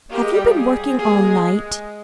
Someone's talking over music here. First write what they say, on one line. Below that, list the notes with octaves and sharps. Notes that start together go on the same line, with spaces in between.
Have you been working all night?
A#3 G4
G#3
G3
F3
G3 G#4
C4
A#3 G#4
G#3
G#3